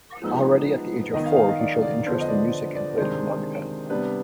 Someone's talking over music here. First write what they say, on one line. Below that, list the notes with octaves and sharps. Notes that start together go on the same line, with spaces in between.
Already at the age of four he showed interest in music and played harmonica.
F3 G#3 B3 D#4
D#3 B3 D#4 D#5
F5
F5
D#5
D5
D5
D3 F3 B3 D4 C5
D#5
D5
D5
C3 D#3 G#3 D4 C5
C3 G3 B3 D4 B4